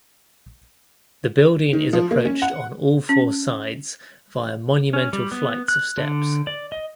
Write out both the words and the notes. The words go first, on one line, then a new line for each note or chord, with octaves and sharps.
The building is approached on all four sides via monumental flights of steps.
D#3
F3
A#3
C#4
F#5
C#4
C#4
G3
B3
F#6
D3
D5
D#5